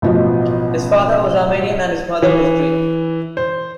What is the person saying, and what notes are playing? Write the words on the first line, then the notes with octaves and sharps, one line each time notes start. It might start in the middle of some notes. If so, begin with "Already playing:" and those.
His father was Armenian and his mother was Greek.
A1 B2 F3 B3 D#5
E3
C5